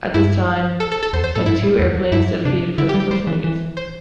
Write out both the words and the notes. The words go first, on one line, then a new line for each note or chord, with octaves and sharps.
At this time had two airplanes dedicated for his personal use.
G2 E4
A4
A4
A4
E2 C5
C5
A2 A4
G2 E4
A2
E2
G2 E4
C3 D4
D3 E4
G4
G3
G4
G3 C5
E3
E3
C5